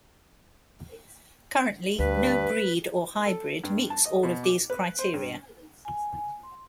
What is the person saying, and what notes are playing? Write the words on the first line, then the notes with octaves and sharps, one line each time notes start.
Currently, no breed or hybrid meets all of these criteria.
D2 G2 B4
A4
G2
A5
D#5
B2
D6
B4
C5
G2
G#5
C6